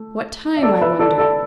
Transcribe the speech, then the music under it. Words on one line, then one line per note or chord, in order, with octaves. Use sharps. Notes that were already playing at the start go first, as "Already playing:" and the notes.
What time, I wonder.
Already playing: A3
E5
A4 D5
B4 E5
A4 D5
A4 D5